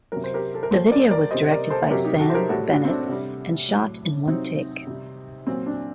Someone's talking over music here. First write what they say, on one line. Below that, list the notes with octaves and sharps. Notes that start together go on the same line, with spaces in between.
The video was directed by Sam Bennett and shot in one take.
C3 F#3 A#4
C5
G4 A#4
A4
A#4
A#2 F#3 A4 C5
A#4 D5
A#4 D5
C3 G3 C5 D#5
A#4 D5
A4 C5
C3 F#3 G4 A#4
D#4 G4
F#4 A4
C5
G4 A#4
A2 G3 F#4 A4
D4 F#4
C4
D4
C3 G3
A2 F#3
C3 F#3 C4 D#4
C3 G3
A#2 F#3 C4
D4